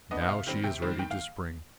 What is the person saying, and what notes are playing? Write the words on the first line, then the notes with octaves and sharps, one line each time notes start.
Now she is ready to spring.
B3 D4 D#5
D#5
C3 F5
D#3 G3 C4
C3 G5
D#3 G3 C4
D#3 G5
F5